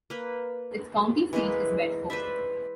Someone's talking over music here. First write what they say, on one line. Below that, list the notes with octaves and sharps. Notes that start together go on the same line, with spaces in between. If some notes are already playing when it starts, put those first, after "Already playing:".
Its county seat is Bedford.
A#3 B4
E3 G#3 A#3 B4
B4 C5 D5 E5